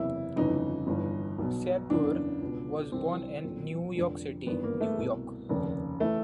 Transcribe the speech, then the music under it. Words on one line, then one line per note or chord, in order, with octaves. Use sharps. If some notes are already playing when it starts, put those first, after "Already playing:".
Sabur was born in New York City, New York.
Already playing: F#1 E2 C3 E4
G1 F2 C#3 E3 D#4
G1 G2 E3
B1 B2
F#1 E2 C#3 D4
C#2 B2
C2 C3 E3 C4
B1 A#2
F1 F2 D3
G#1 G2 E3 B3
A#3
A3
C2 B2
F1 D#2 C#3
E3 A3